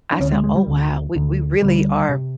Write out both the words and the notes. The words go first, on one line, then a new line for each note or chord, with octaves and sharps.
I said, "Oh, wow. We we really are"
D4
D2 D3 C#4
G#3
G#3
G3
D2 D3
D2 D3
D2 D3 G3
C3